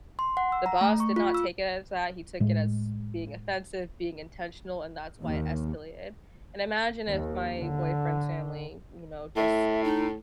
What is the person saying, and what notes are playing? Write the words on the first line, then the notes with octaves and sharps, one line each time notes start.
the boss did not take it as that, he took it as being offensive, being intentional, and that's why it escalated, and imagine if my boyfriend's family, you know, just,
C6
F#5
E6
A#5
A3
C#6
F4
E6
A2 G#3
D#2
D#2
D3
A2 E5
D#4